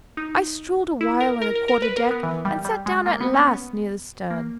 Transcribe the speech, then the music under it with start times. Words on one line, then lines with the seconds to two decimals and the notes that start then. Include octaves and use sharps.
I strolled a while on the quarter-deck, and sat down at last near the stern.
0.17 D#4
1.01 E4
1.21 A#4
1.42 A#4
1.55 A#4
1.68 A#4
1.82 B4
1.97 A#4
2.11 B3
2.23 E3
2.45 G3
2.65 G3
2.86 G#3
3.06 A#3
3.21 B3
3.34 C#4
3.47 B3
4.30 A#3